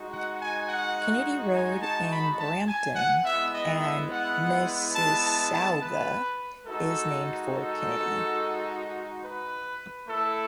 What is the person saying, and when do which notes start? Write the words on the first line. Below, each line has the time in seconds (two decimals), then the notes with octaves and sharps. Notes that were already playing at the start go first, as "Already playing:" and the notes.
Kennedy Road in Brampton and Mississauga is named for Kennedy.
Already playing: G#3 D#4 F#4
0.10 F#5
0.39 G#5
0.67 F#5
1.53 G#5
1.81 A5
2.09 B5
2.38 A5
2.67 G#5
2.95 F#5
3.23 G#3 B3 E4 E5
3.52 D#5
3.80 E5
4.10 F#5
4.94 A5
5.24 A5
5.51 A5
5.80 B4
6.65 G#3 D#4 F#4 A4
7.51 A4
9.22 B4
10.07 A3 E4 A4